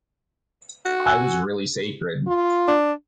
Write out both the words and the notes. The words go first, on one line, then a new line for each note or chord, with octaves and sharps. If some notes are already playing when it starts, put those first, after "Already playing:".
I was really sacred!
F#4
G#5 E6 F#6
F4
D4